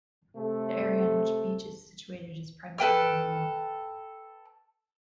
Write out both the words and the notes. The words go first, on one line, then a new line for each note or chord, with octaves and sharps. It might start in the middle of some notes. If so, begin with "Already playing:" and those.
The area in which Beech is situated is primarily rural.
C3 A3 A4
A4 B4 G5 F6